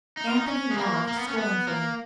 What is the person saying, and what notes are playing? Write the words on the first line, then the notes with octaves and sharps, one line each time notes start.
Anthony laughed scornfully.
D#4
F4
D#4
C#4
G#3
A#3
A#3
B3
C#4
B3
A#3